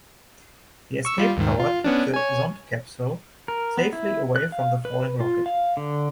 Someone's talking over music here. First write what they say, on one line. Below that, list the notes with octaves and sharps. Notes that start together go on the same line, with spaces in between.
The escape tower took the Zond capsule safely away from the falling rocket.
C#6 E6
G3 F4
D#2 G#2 D#3
F4
B3 C#4 D4
C#5 G#5
A#4
B3
E4
F#6
F5
B4
F4
F5
D3